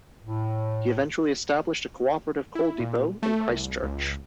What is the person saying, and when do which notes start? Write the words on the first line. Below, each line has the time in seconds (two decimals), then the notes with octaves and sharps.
He eventually established a cooperative coal depot in Christchurch.
0.25 A2
2.55 E4
2.80 A#2
3.23 A3
3.49 C2
3.83 C#2